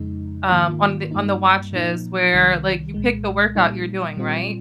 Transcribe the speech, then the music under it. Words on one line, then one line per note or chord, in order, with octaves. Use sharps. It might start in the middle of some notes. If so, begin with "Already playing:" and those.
um, on the on the watches where, like, you pick the workout you're doing, right?
Already playing: F2 C#3 G#3 D#4
G#2 D#3 A#3 F4
G2 G3 A#3 D#4
A#2 F3 A#3 D#4
C2 C3 D#3 G3
C2 A#2 G#3
A#2 G3 A#3 D#4
A#2 G3 C4 F4